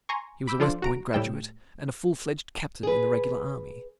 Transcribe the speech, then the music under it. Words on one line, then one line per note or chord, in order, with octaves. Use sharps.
He was a West Point graduate and a full-fledged captain in the regular army.
G#5 A#5 C6 C#6
B5 D6 E6 G6
F3 D4 F4 A4 C5 D5
F#4 A#5 D7
A2 G3 G5 E7
G#4 B4